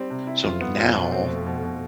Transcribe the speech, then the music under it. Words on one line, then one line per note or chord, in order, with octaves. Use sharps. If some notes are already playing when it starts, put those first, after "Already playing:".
so now,
Already playing: G3 C4
C3
E4
F2 F4
B3
F2 F4
B2
C4
A3
B2
B2